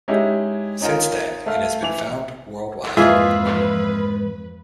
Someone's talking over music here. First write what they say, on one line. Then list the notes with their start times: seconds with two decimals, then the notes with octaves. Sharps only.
Since then, it has been found worldwide.
0.08 G#3 C#4 D#4 E4 G4
0.81 C#4 D#4 F4 A#4
1.46 A3 E5 F5
1.83 E3 F7
2.97 F2 G#2 E3 A#3 F4 G#4 B4 E5